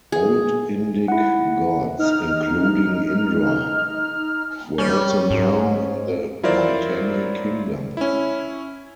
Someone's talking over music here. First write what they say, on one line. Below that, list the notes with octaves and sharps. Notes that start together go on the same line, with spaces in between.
Old Indic gods, including Indra, were also known in the Mitanni kingdom.
G#4
E4 F#5
D#4 F6
G3 C#4
G#2
F#3 E4 F4 A#4 C5 D5
C#4 E4